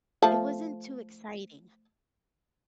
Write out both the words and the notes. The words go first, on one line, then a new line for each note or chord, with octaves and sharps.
it wasn't too exciting.
F3 A3 A5